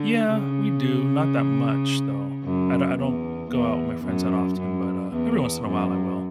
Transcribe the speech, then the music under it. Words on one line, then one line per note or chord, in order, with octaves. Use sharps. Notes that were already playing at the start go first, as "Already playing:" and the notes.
Yeah, we do not that much though. I don't I don't go out with my friends that often, but uh, every once in a while I will.
Already playing: D3
C#3
F#2
E2
E2
F#2
F#2
E2
F#2